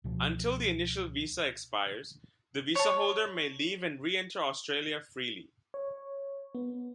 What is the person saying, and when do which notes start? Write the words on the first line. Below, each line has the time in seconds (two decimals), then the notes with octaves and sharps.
Until the initial visa expires, the visa holder may leave and re-enter Australia freely.
0.04 C#2 B2 F3
2.75 A4 C#5
5.74 C#5
6.55 B3